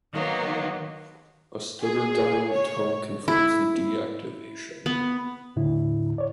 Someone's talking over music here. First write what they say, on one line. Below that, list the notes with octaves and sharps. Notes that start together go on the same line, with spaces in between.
A stutter dial tone confirms the de-activation.
D#3 F#3 A#3 B3
G#4
C#5
E4
B3
D#2 A2 D3 E4
C#5 D5